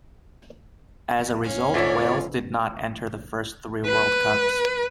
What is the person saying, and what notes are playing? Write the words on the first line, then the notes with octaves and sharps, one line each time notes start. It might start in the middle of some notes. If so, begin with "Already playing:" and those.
As a result, Wales did not enter the first three World Cups.
C#4 F5
D2 G#2 E4 F4 C#5 D5
B4